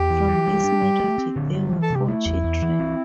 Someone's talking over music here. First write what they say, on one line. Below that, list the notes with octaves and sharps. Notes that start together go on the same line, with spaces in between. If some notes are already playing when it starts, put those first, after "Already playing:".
From this marriage there were four children.
Already playing: E2 G4
E3
E3
G3
D4
G3
A3
C4
D3
G3
E3
A4
C3
G4
A3 E4
E2
E2
E3
C4